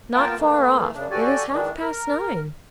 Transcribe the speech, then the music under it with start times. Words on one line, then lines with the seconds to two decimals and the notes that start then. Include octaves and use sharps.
'Not far off--it is half-past nine.
0.14 A#3 B3 F4 A#4 G5 A5
0.37 E3 A3 A#3
0.95 F#2 C#3 D4
1.11 F#4 G4 A4 D5 G#5
1.50 D#3 E3 G#3 D4
1.81 A#4